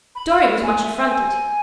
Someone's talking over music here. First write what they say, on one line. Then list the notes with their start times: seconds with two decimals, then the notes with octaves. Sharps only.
Dorry was much affronted.
0.15 B5
0.63 G#5
0.84 E5
1.05 G#5